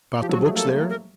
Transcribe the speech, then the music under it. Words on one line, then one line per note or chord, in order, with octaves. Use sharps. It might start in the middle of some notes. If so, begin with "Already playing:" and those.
Got the books there?'
F3 G4
F#3
F#4
G3
G#4
A3
A#3 A4
A3
A#3
A#4